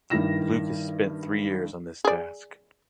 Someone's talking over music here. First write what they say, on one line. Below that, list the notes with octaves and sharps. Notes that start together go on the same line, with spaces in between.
Lucas spent three years on this task.
G2 D#3 E4 A#6 E7
G#4 D5